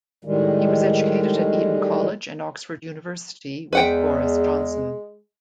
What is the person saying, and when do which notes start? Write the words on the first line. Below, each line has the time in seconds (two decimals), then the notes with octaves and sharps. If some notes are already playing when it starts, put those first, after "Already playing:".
He was educated at Eton College and Oxford University with Boris Johnson.
0.25 A2 D#3 G3 G#3
3.73 E2 G#3 B4 F#5 G5